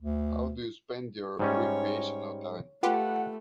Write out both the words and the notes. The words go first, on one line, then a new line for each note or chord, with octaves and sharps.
How do you spend your recreational time?
D2
G#2 G3 C#4 C#5
A3 F4 G4 B4 F#5